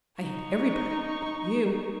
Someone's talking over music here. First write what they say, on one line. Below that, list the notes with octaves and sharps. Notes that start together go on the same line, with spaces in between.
I hate everybody--but you!
D#4 C#6